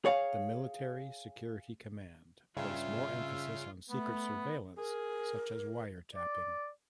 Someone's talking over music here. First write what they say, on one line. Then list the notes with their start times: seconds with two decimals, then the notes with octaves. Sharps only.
The Military Security Command place more emphasis on secret surveillance such as wiretapping.
0.05 G#4 C#5 F5
2.57 G2 C#3 F4 E5
3.90 A3 B3
4.78 G#4 A#4
6.15 D5